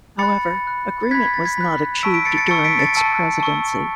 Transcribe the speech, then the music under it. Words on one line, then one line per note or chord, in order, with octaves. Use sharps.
However, agreement was not achieved during its Presidency.
B5 F#6 A6 C#7
B5 F#6
A6
B5 F#6 G#6 B6
G#6
A6
G#6 B6
B5 F#6
A5 C#6 E6 B6 D7
B6 D7
A6 C#7
A6 C#7
A5 C#6 E6 A6 C#7
B6 D7
A6 C#7
A5 C#6 E6
A5 C#6 E6